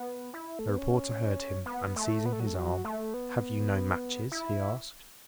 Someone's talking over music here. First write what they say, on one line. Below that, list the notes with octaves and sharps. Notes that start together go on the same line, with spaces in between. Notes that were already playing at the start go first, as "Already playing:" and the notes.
The reporter heard him and seizing his arm, "Have you no matches?" he asked.
Already playing: B3
E4
A3
B3
C#4
B3
A3
B3
A3
F#3
A3
F#3
A3
B3
E4